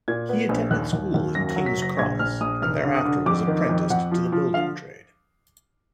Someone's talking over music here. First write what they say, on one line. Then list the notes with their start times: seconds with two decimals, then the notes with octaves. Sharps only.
He attended school in King's Cross, and thereafter was apprenticed to the building trade.
0.08 A#2 G#6
0.29 B3
0.49 A#1
0.71 D#2 F#6
0.93 D#2
1.14 D#2
1.35 F#2 A#6
1.50 A#6
1.56 F#3
1.66 B6
1.77 F#1
1.82 A#6
1.99 A#1 G#6
2.19 A#1 F6
2.41 A#1 D#6
2.62 F1 F6
2.84 D3
2.94 D#6
3.05 D3
3.26 F2 D6
3.47 D#3
3.69 F2
3.90 F2 F#5
4.11 F3
4.32 F3
4.54 D3 F5